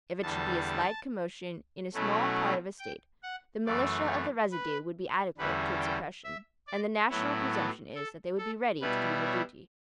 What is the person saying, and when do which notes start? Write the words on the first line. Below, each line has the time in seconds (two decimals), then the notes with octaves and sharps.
If it should be a slight commotion in a small part of a State, the militia of the residue would be adequate to its suppression; and the national presumption is that they would be ready to do their duty.
0.21 E2 D3 G3 A5
1.94 B2 F#3 A3 C#4 E4
2.80 G5
3.23 F#5
3.65 F#2 E3 A3 D5
4.09 C#5
4.51 B4
5.38 E2 D3 G3 C#4 E4 B4
5.80 G5
6.24 E5
6.67 D5
7.10 A2 F#3 B3 E4 C#5
7.53 A4
7.95 A4
8.38 A4
8.81 B2 G3 B3 E4 B4
9.25 C#5